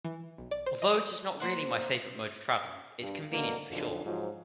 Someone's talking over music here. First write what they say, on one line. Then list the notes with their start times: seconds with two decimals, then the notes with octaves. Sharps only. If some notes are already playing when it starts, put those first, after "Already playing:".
Although it is not really my favorite mode of traveling, it's convenient for sure.
0.05 E3
0.38 B1
0.51 D5
0.66 C5
0.82 D#5
1.40 A#3 C5 F#5
3.01 G2
3.31 B2 D3 A#3
3.69 B1 F2 D3
4.04 G#2 F3 F#3